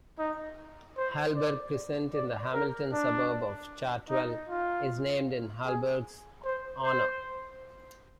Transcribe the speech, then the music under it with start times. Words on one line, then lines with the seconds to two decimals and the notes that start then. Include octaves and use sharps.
Halberg Crescent, in the Hamilton suburb of Chartwell, is named in Halberg's honour.
0.19 D#4
0.97 C5
1.36 D5
2.14 D5
2.53 A#4
2.93 D4
4.10 D#4
4.49 F4
5.66 G#4
6.45 C5
6.83 C5